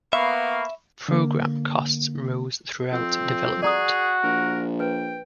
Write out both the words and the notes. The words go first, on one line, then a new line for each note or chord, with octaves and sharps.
Program costs rose throughout development.
A#3 B3 E5 F5 B5 C#6
D3 A#3
F2 C4
F#4 G#4 D5 A#5 D#6
A#1 A#4
B4 G5